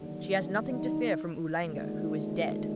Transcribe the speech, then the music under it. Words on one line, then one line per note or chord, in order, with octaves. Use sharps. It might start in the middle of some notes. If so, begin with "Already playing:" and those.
She has nothing to fear from Oolanga, who is dead.
Already playing: D#2 D3 F#3
C#4
D#4
D#2 D3 F3 G#3